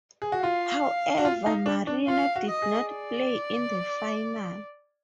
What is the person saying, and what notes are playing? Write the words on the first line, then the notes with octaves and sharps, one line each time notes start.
However, Marinho did not play in the final.
G#4
F#4
F4 F5
F#4
F4
D#4
D4
D4
F4 F5
F#4
D#5
G#4
D5